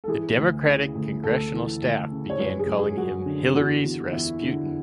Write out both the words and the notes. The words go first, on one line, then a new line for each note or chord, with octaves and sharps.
The Democratic congressional staff began calling him "Hillary's Rasputin".
A4
E3 G#4
D2
C#3
D2
D2 A4
E3
D2
C#3
C#5
F#2 B4
G#4
F#2
G#4
F#2 F#4
D3
E2 F#4
E2
E2 E4
D3